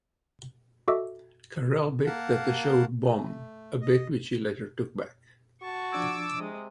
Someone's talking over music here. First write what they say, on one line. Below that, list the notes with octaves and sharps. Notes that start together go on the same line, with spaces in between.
Carrell bet that the show would bomb, a bet which he later took back.
F#4 A4 D#5 E5 D6 E6
A#3 A#4 F5 F#5 A5
A3
D#5
F#4 A5 C#6
F3 D4 D6 E6 G#6
C3 G#3 D#5